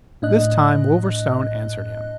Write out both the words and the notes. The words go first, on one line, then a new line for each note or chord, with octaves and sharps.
This time Wolverstone answered him.
A2 D4 D#5 F#6